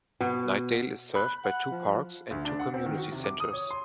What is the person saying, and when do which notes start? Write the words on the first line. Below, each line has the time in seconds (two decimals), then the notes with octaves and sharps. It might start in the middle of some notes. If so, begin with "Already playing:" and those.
Knightdale is served by two parks and two community centers.
0.21 B2
1.15 B5 F#6
1.44 F#5
1.71 F3
2.31 D2
2.45 D4
2.59 F#5
2.74 C4
2.86 D#3
2.97 F#4
3.12 C3
3.24 D6
3.40 D#6
3.53 C#5
3.71 C6